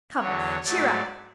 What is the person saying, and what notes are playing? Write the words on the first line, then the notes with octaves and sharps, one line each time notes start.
Come, cheer up.
E2 D3 F#3 C#5
G#2 F#3 A3 D5